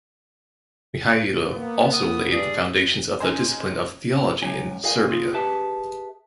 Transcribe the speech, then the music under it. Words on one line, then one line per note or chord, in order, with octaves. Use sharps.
Mihailo also laid the foundations of the discipline of theology in Serbia.
A#3 B3
D#6
G2 G#4 D5
C#4 D#4 G#4 C5
C#2 G2 F#3 C#5 G#5
G#4 A#4 D5 D#5 F5 G#5
A#3 F4 G#4
G4 G#4 B4 E5 A5